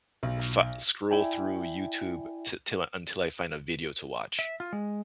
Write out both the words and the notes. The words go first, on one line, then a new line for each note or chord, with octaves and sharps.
fu scroll through YouTube ti 'till until I find a video to watch?"
B1
E4 D5 E5 G5 G#5
E5
F4
G#3